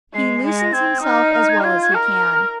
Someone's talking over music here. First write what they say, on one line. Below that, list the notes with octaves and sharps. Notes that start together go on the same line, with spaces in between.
He loosens himself as well as he can.
G#3 C7
G#3
A#6
C4 G#6
D#6
D#4 F6
F6
G#6
F6
F4 G#6
G#6
A#4 F6